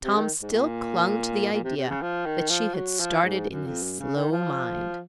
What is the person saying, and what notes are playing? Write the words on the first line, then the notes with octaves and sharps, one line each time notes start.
Tom still clung to the idea that she had started in his slow mind.
C3
D#3
G#2
A#2
A#2
C3
C3
C#3
F3
D#3
F3
F#3
F3
G#2
F#2
F2
F#2
C#3
D#3
F3